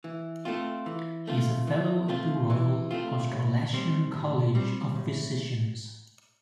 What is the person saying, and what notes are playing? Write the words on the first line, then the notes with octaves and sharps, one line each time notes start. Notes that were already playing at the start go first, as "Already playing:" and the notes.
He is a Fellow of the Royal Australasian College of Physicians.
E3
A3 C4 F4
E3
A3 C4 F4
E3
A3 C4 F4
E3
A3 C4 F4
A2
G3 C4
A2
G3 C4
A2